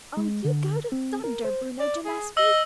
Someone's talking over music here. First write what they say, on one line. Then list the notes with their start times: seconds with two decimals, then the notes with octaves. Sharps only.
"Oh, you go to thunder, Bruno Gillespie!"
0.17 G#3
0.45 D3
0.92 C4
1.24 A#4
1.44 C5
1.80 D5
2.05 G#4
2.37 D#5 E6